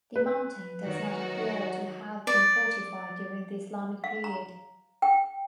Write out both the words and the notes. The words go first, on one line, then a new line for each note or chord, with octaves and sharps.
The mountain does not appear to have been fortified during the Islamic period.
B4
D#3 F#3 F#4
D5
F5
A#5
G5